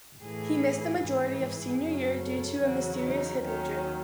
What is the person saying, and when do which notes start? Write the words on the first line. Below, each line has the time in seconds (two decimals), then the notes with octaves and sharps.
He missed a majority of senior year due to a mysterious hip injury.
0.23 A2 E3 G#4
1.03 G#2 E3 G#4
1.43 G#4
1.83 F#2 C#3 F#3
2.23 A4
2.62 E2 C#3 F#3 F#4
3.02 D#4
3.42 D#2 D#3 F#3 C#4